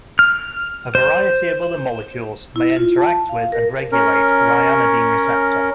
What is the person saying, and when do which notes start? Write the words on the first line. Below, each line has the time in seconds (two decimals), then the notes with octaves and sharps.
A variety of other molecules may interact with and regulate ryanodine receptor.
0.19 F6
0.95 C5
2.56 E4
2.76 F4
2.97 A5
3.29 F5
3.52 A#4
3.92 C#4 A#4